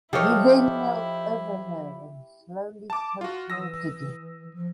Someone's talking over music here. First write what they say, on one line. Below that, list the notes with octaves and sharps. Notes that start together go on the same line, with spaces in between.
He then knelt over her and slowly choked her to death.
F3 E4 G4 A4 C#5 D#5 F5
A5 D6
F4 F#4
E3 D#6 E6 A#6
F3